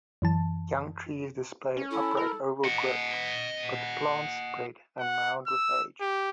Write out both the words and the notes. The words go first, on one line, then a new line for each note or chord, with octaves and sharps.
Young trees display upright oval growth, but the plants spread and mound with age.
F#2 E3 A5
C#4
E4 A4
A#4
D#5 F#5
F#5
E6
G4